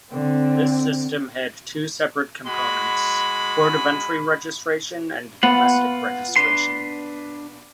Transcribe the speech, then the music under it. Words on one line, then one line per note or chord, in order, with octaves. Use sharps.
This system had two separate components: port-of-entry registration and domestic registration.
D3 C4
G#3 F#4 B5
B3 F4 F#5
D4 B4 C6